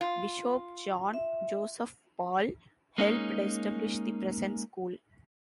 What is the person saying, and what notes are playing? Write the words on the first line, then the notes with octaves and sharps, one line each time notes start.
Bishop John Joseph Paul helped establish the present school.
F4
E5
G#3 A#3 C#4 D#4